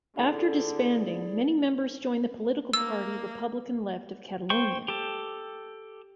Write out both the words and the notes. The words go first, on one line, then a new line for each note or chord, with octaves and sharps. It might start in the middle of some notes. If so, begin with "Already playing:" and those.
After disbanding, many members joined the political party Republican Left of Catalonia.
D3 E4 G#4 D5
A#3 E6
C5 G5 C#6
G4 A4